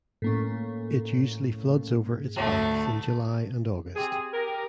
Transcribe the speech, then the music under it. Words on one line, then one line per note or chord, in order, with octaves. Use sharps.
It usually floods over its banks in July and August.
A2 A#3 C#4
G#2
D2 A3
C4 G4 G#4
G4 A#4